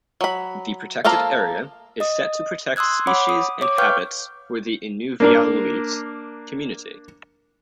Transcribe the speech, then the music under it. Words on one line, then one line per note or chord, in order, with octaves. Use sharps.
The protected area is set to protect species and habits for the Inuvialuit community.
F#3 B5
F3 A#3 A4 F5 A#5
D#5 D#6
C6 D#6 E6 F#6 G#6
C#5 F#5 B5 D6
D#6
C#5 D6
B4 F5 G5 C#6 F6 G6
A#3 D4 A#4